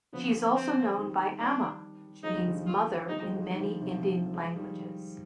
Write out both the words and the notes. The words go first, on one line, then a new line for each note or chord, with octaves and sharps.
She is also known by Amma, which means 'Mother' in many Indian languages.
D3 F3 B3
C4
D#3 G3
D4
F3 G#3 D#4
D#3 G3
D3 F3
D3 F3
F4
D#3 G3 D#4
F3 G#3
F3 G#3
D#3 G3
D3 F3
C3 D#3
D3 F3
F3 G#3
D#3 G3